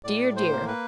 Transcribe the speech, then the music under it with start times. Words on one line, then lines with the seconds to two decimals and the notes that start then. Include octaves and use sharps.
Dear, dear!
0.04 A2 D5
0.36 C5
0.52 A#3
0.67 B4